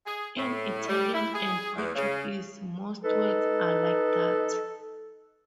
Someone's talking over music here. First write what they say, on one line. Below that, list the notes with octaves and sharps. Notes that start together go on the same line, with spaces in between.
In Italian and Portuguese, most words are like that.
G#4
A2
G3
E4
G#4
E2
C#3
D#4 A4 B4 D#5